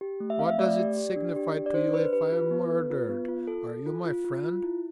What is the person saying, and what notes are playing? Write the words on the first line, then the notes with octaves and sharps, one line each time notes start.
What does it signify to you if I am murdered? Are you my friend?
G4
A3
E5
C4 F5
E5
A3 D5
G4
G4
D4
G4
D4
D5
D4 C5
D4 B4
G4 B4
F4
B3
A4
F4
B3
F4
A4
A4
F4
F4
F4
F4
E4